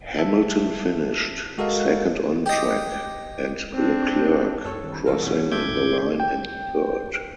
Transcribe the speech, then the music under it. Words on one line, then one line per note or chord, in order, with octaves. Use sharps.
Hamilton finished second on track and Leclerc crossing the line in third.
E5 A5
G#3 F#4 A4 A#4 D#5 F5
G4 D#5
C4 D4
F#2 A4 C#5
C2 D#3
B1 E3 F4 A4 A#4
B2 C#4
G2 A3 E5 D6 G6 G#6
G#1 D2 G#2
G5